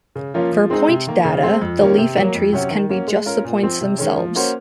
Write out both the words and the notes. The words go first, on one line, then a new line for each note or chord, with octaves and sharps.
For point data, the leaf entries can be just the points themselves.
C#3
F3 A#3 C#4 F4
F3
G#3 C4 D#4 G#4
C3
D#3 A#3
C#3
G#3 C4
F2
D#3 A#3 C#4
C3
F#3 A#3
F2
C3 F#3 C#4 F#4
D#3
A#3 C#4 F#4
G#3
C#4 F4 A#4
A#2
F3 C4
C3
D#3 G#3 C#4
F3
A#3 C#4 F#4 C5